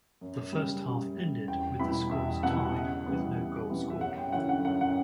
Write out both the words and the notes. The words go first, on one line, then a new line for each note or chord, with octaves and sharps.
The first half ended with the scores tied with no goal scored.
F#2
C#3 G3
F#2
C#3 G3
E2 G5
B2 G3 B3 E4 B5
E2 E5
B2 G3 B3 E4 F#5
C#3
E3 G3 B3
C#3
E3 G3 B3
E5
F#2 F#5
G5
D3 F#3 C#4 E4 F#5
F#5
F#2 F#5
F#5